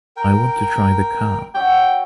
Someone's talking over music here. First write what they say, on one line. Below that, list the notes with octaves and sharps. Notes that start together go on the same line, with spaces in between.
I want to try the car.
A#4 G5
F#4 C#5 E5 G5